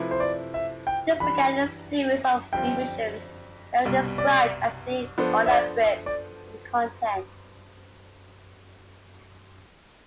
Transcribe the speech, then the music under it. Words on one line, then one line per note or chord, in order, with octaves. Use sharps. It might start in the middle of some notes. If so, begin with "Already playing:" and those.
This began a series of revisions that were described as being "unabridged" in content.
Already playing: C3 F3 A3 E4 B4
C5
D5
E5
G5
E3 G3 D4 B5
F2 D3 G3 C4 F4 G5
C2 B2 G3
D5
F3 B3 D4 A4 C5
E5
D5
E5
D5